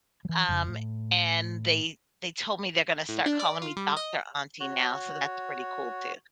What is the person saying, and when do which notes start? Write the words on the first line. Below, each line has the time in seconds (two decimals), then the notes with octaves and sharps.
um, and they they told me they're gonna start calling me Doctor Auntie now, so that's pretty cool too.
0.25 E3 F#3
0.48 F1 F2 A#2 C#3
0.68 A2
3.09 A2
3.26 D4
3.39 D5
3.62 F4
3.77 G3
3.97 D#5
4.60 F#4 C#5